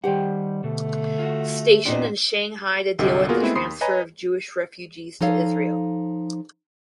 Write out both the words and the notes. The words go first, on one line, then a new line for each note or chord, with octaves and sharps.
Stationed in Shanghai to deal with the transfer of Jewish refugees to Israel.
D#3 G3 G4 C5 F#5 G5
B2 D3 A3
F4 F#4
E2 A#2 C4 D4 G4 C5 D#5
G1 C2 D3 F#3 G4 D#5
A#3 B3 F4 F#4 G#4 A#4
G#3 A3 B3 C4 E4
D#2 B5 C6 D#6 C7
B4 C#5 D#5 G#5 A#5 B5
F3 D#4 A4 C#5 F5